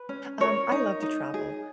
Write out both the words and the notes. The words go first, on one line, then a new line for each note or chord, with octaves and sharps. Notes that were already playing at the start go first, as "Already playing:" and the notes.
Um, I love to travel.
Already playing: B4
C#4
A#4 C#5
D#4
D#4
G#4